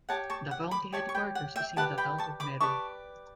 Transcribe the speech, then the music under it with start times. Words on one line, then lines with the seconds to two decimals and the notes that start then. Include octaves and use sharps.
The county headquarters is in the town of Meru.
0.09 G4 C#5 F#5 A5
0.30 A5 C#6
0.51 F#5
0.71 B5 D6
0.92 G4 C#5 A5 C#6
1.09 C#6
1.15 G5 B5
1.35 F#5
1.56 E5 G5
1.76 G4 B4 D5 F#5 A5
1.98 G5 B5
2.18 A5 C#6
2.40 B5 D6
2.60 G4 B4 D5 A5 C#6